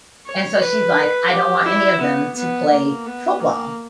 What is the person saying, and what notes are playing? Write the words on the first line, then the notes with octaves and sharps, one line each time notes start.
and so she's like, "I don't want any of them to play football."
C#5
B4
G4
E4
B3
B3
A#3
B3
A#3